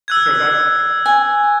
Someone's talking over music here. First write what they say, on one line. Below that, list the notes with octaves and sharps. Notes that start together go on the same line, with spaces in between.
because that
E6 F#6 G#6
G#5